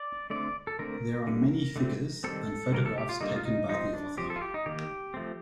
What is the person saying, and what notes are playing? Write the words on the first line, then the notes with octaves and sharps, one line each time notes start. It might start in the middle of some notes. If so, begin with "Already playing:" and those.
There are many figures, and photographs taken by the author.
Already playing: D5
D3 A3 C4 D5
A4
D3 A3 C4 A#4
D3 G3 A#3
D3 A3 C4
D#3 G3 C4 A4
D#3 G3 A#3 A#4
A4
G4
F4
D3 G3 A#3 D#4
F4
D#4
F3 C4 D#4
D4
F3 C4 G4
A4
F4
G4
D#4
D#3 A#3 G4
F3 A3 C4